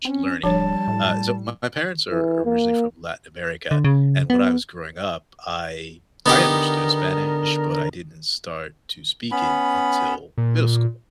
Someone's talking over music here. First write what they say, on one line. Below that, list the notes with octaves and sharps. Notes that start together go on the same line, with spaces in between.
Ch learning. Uh, so my parents are originally from Latin America. And when I was growing up, I I understood Spanish, but I didn't start to speak it until middle school.
C4 C#4
D1 F3 G3 D4 C#5 A5
A2
E3
A#3
D3
C#3
B3
D3 B3 D#4 G4 A#4
B3 C#4 B5
A#2